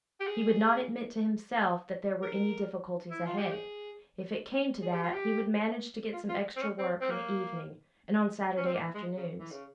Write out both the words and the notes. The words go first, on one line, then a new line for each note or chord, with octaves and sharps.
He would not admit to himself that there were any difficulties ahead; if it came to that, he would manage to get some extra work in the evening and on Saturday afternoons.
G4
G#4
A#4
E4
F4
G4
G#4
G#4
G4
F4
G4
F4
F4
C4
C#4
C4
C4
A#3
C#4
C4
A#3
G#3
C#3
E3
C#3